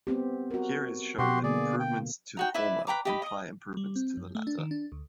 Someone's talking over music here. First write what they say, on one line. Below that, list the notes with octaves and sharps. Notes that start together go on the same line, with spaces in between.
Here is shown that improvements to the former imply improvements to the latter.
B3 C4 G4
F#4 A#4
B2 F#4 G4 C6
D3 A#3 G#4 D5
G5
D#4 F#4 G5
E4 B4 D5 E5
B4 G5 A#5 D6
G4 D#5 B5
D#5 D#6
G3
C4
F#2
A3
D4
D#3
D4
D2